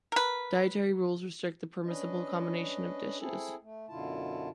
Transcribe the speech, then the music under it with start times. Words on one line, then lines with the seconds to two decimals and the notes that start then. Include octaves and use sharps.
Dietary rules restrict the permissible combination of dishes.
0.12 A#4 B4
1.86 C#4 D4 B4 D#5
3.19 C4 E4 G#4 A4
3.61 A3
3.89 F#2 B2 D3 E4 F4 A5